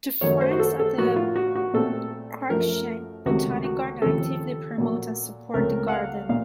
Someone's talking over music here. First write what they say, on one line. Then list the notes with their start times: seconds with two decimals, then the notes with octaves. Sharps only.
The Friends of the Cruickshank Botanic Garden actively promote and support the garden.
0.21 F#2 D#3 F#3 A3 C#5
0.41 C5
0.51 F#4
0.60 A4
0.79 A4
0.98 A2 F#3 A#3 F#4
1.16 F4
1.36 F#4
1.55 F#4
1.74 A#2 A3 C4 A4
2.49 F#2 F3 A3 A#4
3.25 C#2 C3 D#3 A3 C4 F#4
3.64 F#4
4.02 D#2 C#3 F3 C4 A4
4.78 A#2 F#3 A#3
5.54 C#2 C#3 A3 C4 A#4
5.88 F#5
5.92 F5
6.29 A#2 F5